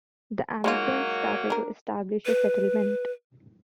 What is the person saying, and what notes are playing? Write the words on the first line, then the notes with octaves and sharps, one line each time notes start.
The emigrants started to establish a settlement.
F#3 G#3 A#3 D#4 F4
D4 A#4
B4